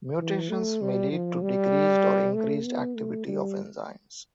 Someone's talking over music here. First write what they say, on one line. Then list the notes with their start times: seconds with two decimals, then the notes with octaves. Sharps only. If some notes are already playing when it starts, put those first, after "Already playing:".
Mutations may lead to decreased or increased activity of enzymes.
0.20 E3
0.50 A3
0.81 G3
1.12 F3
1.42 G3
2.35 A3
2.65 B3
2.96 A3
3.28 G3